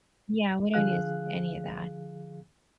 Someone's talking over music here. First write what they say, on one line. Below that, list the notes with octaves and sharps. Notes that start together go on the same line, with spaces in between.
Yeah, we don't use any of that.
D3 F3 G#4 F5 F#6